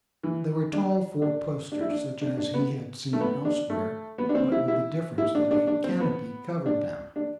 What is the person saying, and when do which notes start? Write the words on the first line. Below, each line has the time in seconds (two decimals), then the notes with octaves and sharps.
They were tall four-posters, such as he had seen elsewhere, but with the difference that a canopy covered them.
0.23 E3
0.73 D4
1.22 D4
1.72 D4
1.81 E4
1.90 D4
2.21 D4
2.37 D4
2.54 B3
3.13 A3
3.21 B3
3.45 D4
3.70 A3
4.18 B3
4.29 D4
4.35 C4
4.52 E4
4.68 E4
5.18 E4
5.35 D4
5.51 D4
5.67 D4
5.84 C4
6.00 B3
6.66 D4
7.16 D4